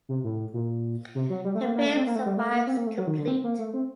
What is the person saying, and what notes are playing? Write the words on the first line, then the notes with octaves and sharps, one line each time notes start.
The film survives complete.
C3
A2
A#2
C3
F#3
G3
A3
A#3
A#3
A3
C4
A#3
A3
G3
A3
A#3
C4
A#3
A3
F#3
D#3
D3
C4
A#3
A3
C4